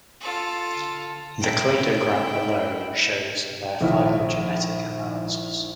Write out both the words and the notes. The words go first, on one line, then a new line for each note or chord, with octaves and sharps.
The cladogram below shows their phylogenetic analysis.
F4 A4
E4 G5
A#1 D#3 E4